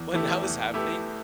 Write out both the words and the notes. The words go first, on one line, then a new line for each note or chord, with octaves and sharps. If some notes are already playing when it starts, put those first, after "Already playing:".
when that was happening
Already playing: E2
E3 A3 E4 G4
E2
E3 A3 E4 G4